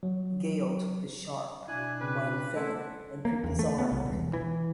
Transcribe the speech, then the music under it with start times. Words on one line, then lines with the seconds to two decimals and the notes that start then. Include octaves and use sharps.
Gale took the sharp white feather and pricked his arm with it.
0.03 F#3
1.68 B2 D4 E4 G#5 F#6
2.01 C#3 C4 B4
2.56 A3 C#4 E4 A4 C5 F#5
3.25 A#3
3.44 E2
3.59 A3
3.78 B3
3.92 C2
4.06 E1
4.33 E3